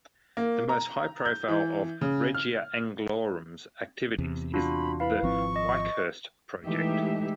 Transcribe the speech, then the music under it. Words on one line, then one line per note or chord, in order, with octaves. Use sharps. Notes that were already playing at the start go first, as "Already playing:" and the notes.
The most high-profile of Regia Anglorum's activities is the Wychurst Project.
A#3
A#5
G6
E3
C#3
F6
E2 C3
D4 F4 F#4 B5
E4 B4 F5 B5
G#1 F3 C4 C#6
D#5
E3 G#3 A3 D#4 G4 E5